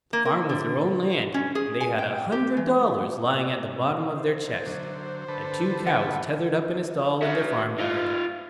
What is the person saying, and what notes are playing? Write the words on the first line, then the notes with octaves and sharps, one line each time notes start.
The farm was their own land, and they had a hundred dollars lying at the bottom of their chest, and two cows tethered up in a stall in their farm-yard.
A#3
A#4
D3
C#4
G#4
G#5
G5
G4
E3
C5
D3 F#3
D3 A4 B4
F#5
F#4 E5
D#4 F4